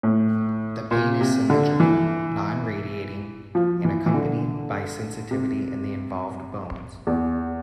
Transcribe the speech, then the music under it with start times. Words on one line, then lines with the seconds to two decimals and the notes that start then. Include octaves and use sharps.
The pain is symmetrical, non-radiating and accompanied by sensitivity in the involved bones.
0.03 A2
0.91 A#2
1.21 C3
1.50 D3
1.80 E3
3.55 F3
3.85 E3
4.06 E3
4.14 D3
5.31 C3
7.07 E2